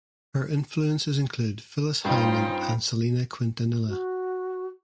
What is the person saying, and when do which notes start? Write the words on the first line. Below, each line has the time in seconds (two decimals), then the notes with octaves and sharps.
Her influences include Phyllis Hyman and Selena Quintanilla.
2.05 G2 C#4 D#4 F4 C5 G5
3.88 F#4